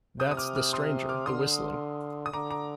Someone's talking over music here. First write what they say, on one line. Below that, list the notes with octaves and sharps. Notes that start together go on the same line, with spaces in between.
That's 'The Stranger,' the whistling.
C3 D#6 G6
D#6
D6 F6
D6 F6
C6 D#6
D6 F6
D3 C6 D#6
D#6
D3 A#5 D6
A#5 D6